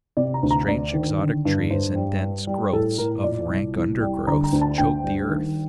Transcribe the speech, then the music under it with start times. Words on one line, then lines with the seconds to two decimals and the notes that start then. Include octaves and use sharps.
Strange exotic trees and dense growths of rank undergrowth choked the earth.
0.17 C3 D5
0.34 A#5
0.43 D2
0.51 A#5
0.68 D2 D5
0.93 D#3
1.19 D3
1.45 G2
1.70 G2 C5
1.95 G3
2.22 G3
2.47 G3
2.73 A2 A4
2.98 A2 A#4
3.24 A#2 D5
3.49 C2
3.76 C2
4.01 G3
4.27 D3 A#5
4.44 A#5
4.52 D2
4.61 A5
4.78 D2 G5
5.04 G3
5.29 D#3